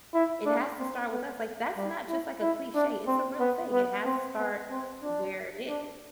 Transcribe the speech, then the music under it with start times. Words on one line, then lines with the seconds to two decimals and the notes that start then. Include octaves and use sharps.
it has to start with us. Like, that's not just, like, a cliche, it's a real thing. It has to start where it is.
0.14 E4
0.46 D4
0.79 C4
1.12 B3
1.77 G3
2.09 E4
2.42 E4
2.75 D4
3.08 C4
3.40 B3
3.73 B3
4.06 C4
4.39 B3
4.71 C4
5.03 D4
5.69 D4